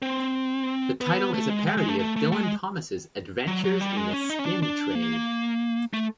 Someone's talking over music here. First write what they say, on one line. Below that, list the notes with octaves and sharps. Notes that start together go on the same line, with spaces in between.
The title is a parody of Dylan Thomas's "Adventures in the Skin Trade".
C4
B3
A3
G#3
G#3
G#3
A3
A3
A3
A3
G#3
F#3
F#3
G3
G#3
C#4
D#4
C#4
D4
D4
A#3
A3